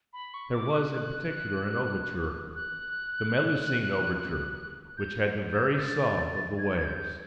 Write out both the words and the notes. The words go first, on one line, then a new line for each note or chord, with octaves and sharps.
There was in particular an overture--the Melusine overture--which had the very sob of the waves.
B5
C#6
D6
F#6
F#6
F#6
G6
G6
A6
G#6
G#6
G6